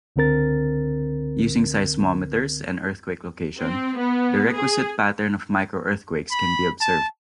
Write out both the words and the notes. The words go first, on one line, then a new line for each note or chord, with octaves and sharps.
Using seismometers and earthquake location, the requisite pattern of micro-earthquakes can be observed.
C#2 D3 C4 A#4 A6
C4
B3
G#4
B5
A5